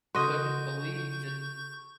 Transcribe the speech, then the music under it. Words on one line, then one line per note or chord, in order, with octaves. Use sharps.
couldn't believe that
C#3 F#4 A4 D#5 C6 C#6 G6